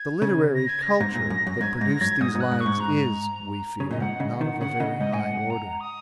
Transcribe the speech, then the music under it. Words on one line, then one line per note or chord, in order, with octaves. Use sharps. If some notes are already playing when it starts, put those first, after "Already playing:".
The 'literary culture' that produced these lines is, we fear, not of a very high order.
Already playing: G#6
C#3
A#6
G#6
A#6
G#2
A#2
F#2
F#2
G#2 G#6
G#2 A#6
F#2 G#6
G#2 D#6
G#2
F#6
G#2
C#6
G#2
A#5
C#3
A#2 D#5
G#2 F#5
C#3 D#5
D#3 F#5
C#3 F#5
C#3 D#5
G#2 D#5
G#5
F#5
A#5
D#6